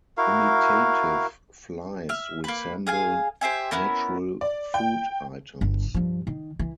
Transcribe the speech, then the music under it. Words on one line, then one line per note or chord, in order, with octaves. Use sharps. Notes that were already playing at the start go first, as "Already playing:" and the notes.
Imitative flies resemble natural food items.
E4 F#4 A#4 F5
E5 F6
A#3 B4
G#4 F5 G#5
G4 C5 E5 G#5
B3 C#4 E4 A#4
D5
G5
G1
G2 F3
D#3
E3